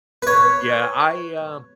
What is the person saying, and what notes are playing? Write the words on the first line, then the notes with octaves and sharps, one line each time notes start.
Yeah, I, uh
B4 C#5